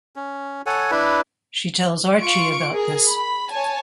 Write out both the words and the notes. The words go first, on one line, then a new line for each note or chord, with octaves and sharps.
She tells Archie about this.
C#4
A4 C#5 F#5 G#5
D4 E4 B4
F4 C#6 C#7 D7
G#4 A#4
B5
C#5 G#5 A5